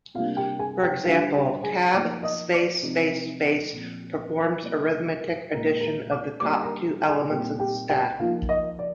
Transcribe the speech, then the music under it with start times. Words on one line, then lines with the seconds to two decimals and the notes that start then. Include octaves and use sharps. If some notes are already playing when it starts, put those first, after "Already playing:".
For example, tab-space-space-space performs arithmetic addition of the top two elements on the stack.
0.14 C3 G3 A#3 D4 F4 F5
0.37 G4 G5
0.59 G#4 G#5
0.82 G4 G5
1.05 D3 G3 D4 F4 F5
1.34 G4 G5
1.64 G#4 G#5
1.94 F3 A#3 D#4 D5 D6
2.23 D#5 D#6
2.54 D5 D6
2.83 C3 F3 C4 D#4
3.72 A#2 F3 C4
4.62 C3 G3 A#3
5.52 A#2 G#3 D#4 A#4 A#5
5.81 A#4 A#5
6.10 D5 D6
6.40 D3 G3 A#3 D#4 D5 D6
6.63 A#4 A#5
7.08 G#4 G#5
7.30 A#2 G3 C4 D#4 G4 G5
7.60 G4 G5
7.89 G4 G5
8.19 F3 A#3 D#4 F4 F5
8.49 D#5
8.79 D5